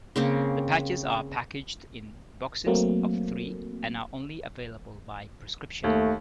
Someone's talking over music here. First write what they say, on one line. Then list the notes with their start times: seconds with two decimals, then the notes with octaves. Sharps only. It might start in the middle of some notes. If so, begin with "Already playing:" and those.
The patches are packaged in boxes of three and are only available by prescription.
0.16 C#3 A#3 C4
2.67 F#3 A3 A#3 C4
5.84 D#2 A3